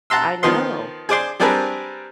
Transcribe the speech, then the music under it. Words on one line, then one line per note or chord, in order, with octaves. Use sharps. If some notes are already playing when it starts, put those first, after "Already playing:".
I know.
F#5 A5 A#5 C6 E6
D#3 F3 B3 D#5 C6
G#4 C5 D5 C6
G3 C4 D4 G#4 A#4 B4